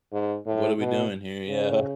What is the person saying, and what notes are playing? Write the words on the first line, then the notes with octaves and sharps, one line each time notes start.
"What are we doing here?" Yeah.
G#2
A2
B2
C#3